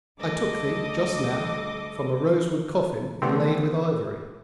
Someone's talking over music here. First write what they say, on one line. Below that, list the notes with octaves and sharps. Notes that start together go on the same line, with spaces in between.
I took thee, just now, from a rose-wood coffin inlaid with ivory.
D2 G3 A4 D#5 D6
D3 E3 A3 B3 C4